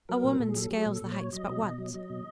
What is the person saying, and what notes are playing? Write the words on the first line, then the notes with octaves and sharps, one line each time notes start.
A woman scales the heights but once.
F#3 A#4
A#2
A#2 A4
G#4
F#3 A4
F#3 G#4
A#2
A4
A#2
F#3 C#5
F#3 D#5
B2
B2
F#3
F#3 D#5
B2